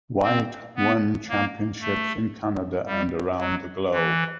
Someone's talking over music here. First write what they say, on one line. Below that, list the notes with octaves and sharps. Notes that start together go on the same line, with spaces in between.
White won championships in Canada and around the globe.
C4
B3
A#3
A3
G3
F#3
E3